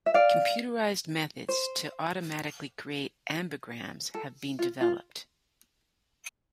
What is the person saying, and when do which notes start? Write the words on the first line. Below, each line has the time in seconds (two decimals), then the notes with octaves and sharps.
Computerized methods to automatically create ambigrams have been developed.
0.06 E5
0.14 D5 F5
1.49 C5
4.14 A4
4.59 F4
4.81 F4